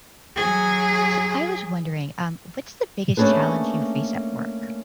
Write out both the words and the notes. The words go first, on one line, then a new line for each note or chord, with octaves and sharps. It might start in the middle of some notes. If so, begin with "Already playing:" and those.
So, I was wondering, um, what's the biggest challenge you face at work?
F#3 G#4
A3 A#3 C#4 D4 G#4 B4